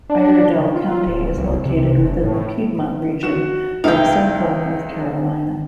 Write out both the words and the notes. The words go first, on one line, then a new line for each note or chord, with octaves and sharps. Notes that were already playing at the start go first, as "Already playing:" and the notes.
Iredell County is located within the Piedmont Region of central North Carolina.
D4
C#3
F4
D1
C2
C3
F#1
A2
F#4 E7
C#2 D#4 E4 F5 G5